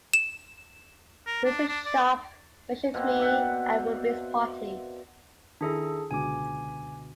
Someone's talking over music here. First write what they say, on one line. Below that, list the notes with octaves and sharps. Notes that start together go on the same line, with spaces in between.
Mr. Sharpe measured me at Ruby’s party.
E7
A#4
D4
D4
D5
B2 A#3 C4
D5 E5 F#5 G5
D#3 D4 E4 G#4 A4
C#2 B2 D3 G#5 D6